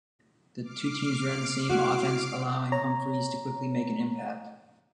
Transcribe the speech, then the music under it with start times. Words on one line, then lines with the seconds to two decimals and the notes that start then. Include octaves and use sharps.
The two teams ran the same offense, allowing Humphries to quickly make an impact.
0.62 D6 F6 C7
1.69 G#3 E4 F#4
2.72 C#5 A#5